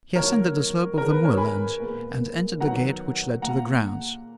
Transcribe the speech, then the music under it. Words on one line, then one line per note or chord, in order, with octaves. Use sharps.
He ascended the slope of the moorland, and entered the gate which led to the grounds.
D#3 F#3 A#3 A#4 C#5
D#3 G#3 B3 A#4
B4
A#4 C#5
G#5 B5
A#2 G#3 B3
D#3 F#3 B3 F#5 A#5
A#2 A#3 F#5 A#5